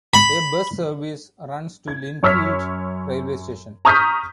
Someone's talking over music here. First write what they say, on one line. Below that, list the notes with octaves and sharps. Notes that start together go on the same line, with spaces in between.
A bus service runs to Lindfield railway station.
B5
G#6
F#2 C#5 E6 F6 B6
A#5 C#6 D#6 F6 G6 B6